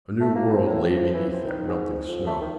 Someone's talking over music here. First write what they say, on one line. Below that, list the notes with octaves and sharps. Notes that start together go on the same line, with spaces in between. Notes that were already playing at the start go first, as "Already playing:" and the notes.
A new world lay beneath that melting snow.
A3
A#3
C4
A2
F3
E3
C4
D#3
G#2
F2
A3
D#3